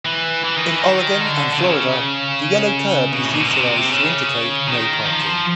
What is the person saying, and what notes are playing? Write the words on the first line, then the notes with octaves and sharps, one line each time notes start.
In Oregon and Florida, the yellow curb is utilized to indicate no parking.
E3
E3
D#3
E3
D#3
D3
D3
C#3
B2
A2
A#2
B2
C3
C#3
D#3
F3